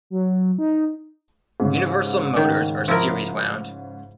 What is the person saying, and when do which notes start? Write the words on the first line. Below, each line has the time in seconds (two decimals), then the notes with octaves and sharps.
Universal motors are series wound.
0.10 F#3
0.58 D#4
1.60 G#2 C#3
2.36 D#3
2.88 F3 E4 A#4